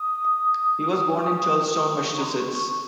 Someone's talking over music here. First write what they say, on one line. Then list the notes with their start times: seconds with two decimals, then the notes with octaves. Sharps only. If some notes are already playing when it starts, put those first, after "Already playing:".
He was born in Charlestown, Massachusetts.
Already playing: D#6
1.18 C#6
1.24 D#6
2.02 C#6
2.17 A#5
2.22 C6
2.40 C#6
2.60 C#6